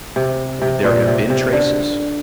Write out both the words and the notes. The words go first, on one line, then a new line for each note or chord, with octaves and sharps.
"Would there have been traces?"
C3
C3
A#2
C3
C3
D3